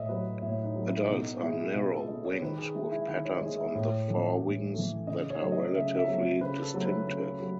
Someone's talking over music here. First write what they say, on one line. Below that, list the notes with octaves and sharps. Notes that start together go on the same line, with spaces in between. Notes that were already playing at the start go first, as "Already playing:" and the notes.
Adults are narrow winged with patterns on the forewings that are relatively distinctive.
Already playing: A2 D#5 E5
F#3 A3 B4
A2 E4
D#4
F#3 A3
E4
B2 D#4
G#3 E4
B2 F#4
A4
G#3 D#5
C#5
D#3 B4
G#4
G#3 E4
E4
D#3 E4
C#5
G#3 D#5
E5
A2
E3 A3
A2
E3 A3
C#3 D#5
C#5
F#3 A3
D#5
C#3 E5
E5
F#3 A3
C#5
C#3 B4
A4
F#3 A3
B4
C#3
F#3 A3